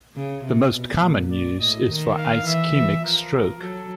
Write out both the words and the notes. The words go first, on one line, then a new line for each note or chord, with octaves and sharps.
The most common use is for ischemic stroke.
C#3
C3
B2
A#2
D5
A2 D#5
D#3
F5
E3 E5
E3
F3 A#4
F#3 A4